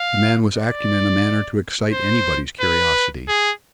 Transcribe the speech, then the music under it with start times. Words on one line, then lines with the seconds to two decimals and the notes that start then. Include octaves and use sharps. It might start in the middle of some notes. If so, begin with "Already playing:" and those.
The man was acting in a manner to excite anybody's curiosity.
Already playing: F5
0.56 D5
1.92 C5
2.60 B4
3.28 G#4